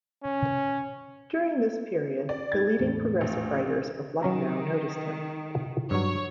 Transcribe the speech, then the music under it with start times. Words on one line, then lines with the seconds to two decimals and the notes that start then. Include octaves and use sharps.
During this period, the leading progressive writers of Lucknow noticed him.
0.24 C#4
2.29 D5
2.52 D#4 G#6 A6
2.80 E2 A2 A3
3.21 A#1
4.23 D#3 F#3 C#4 A#5
5.91 G2 F#3 C#5